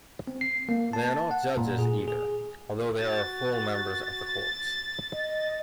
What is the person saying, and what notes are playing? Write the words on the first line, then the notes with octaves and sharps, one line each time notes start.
They are not judges either, although they are full members of the courts.
C4
C7
A#3
A5
F#5
A#2
G#4
G#4
F#4 A6
D#5